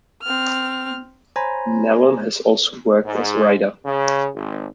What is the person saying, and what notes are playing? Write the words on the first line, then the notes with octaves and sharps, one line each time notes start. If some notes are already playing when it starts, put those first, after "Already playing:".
Nallon has also worked as a writer.
C4 F6
C5 C#5 G#5 A#5 B5
G#2
C#3
G#1